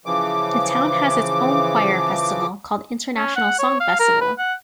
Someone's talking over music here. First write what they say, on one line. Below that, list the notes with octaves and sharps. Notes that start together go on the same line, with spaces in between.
The town has its own choir festival called international song festival.
C#3 E3 F3 D6
C#4
F#5
C#5
F5
A#4
B4
F#5